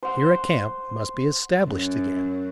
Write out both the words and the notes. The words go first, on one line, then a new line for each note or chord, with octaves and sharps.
Here a camp must be established again.
C5 F#5
F#2